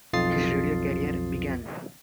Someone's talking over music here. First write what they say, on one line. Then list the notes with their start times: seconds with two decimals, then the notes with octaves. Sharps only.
His radio career began.
0.13 B1 F2 F4 D#6 A6 C7